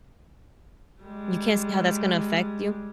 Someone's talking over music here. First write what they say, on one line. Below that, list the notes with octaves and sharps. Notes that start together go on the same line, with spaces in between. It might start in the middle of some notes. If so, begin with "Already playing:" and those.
you can't see how that's gonna affect you?
G3 G#3